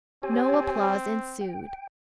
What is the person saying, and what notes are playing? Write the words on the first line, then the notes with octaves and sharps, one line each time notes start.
No applause ensued.
C4 G4 C#5 G#5
G5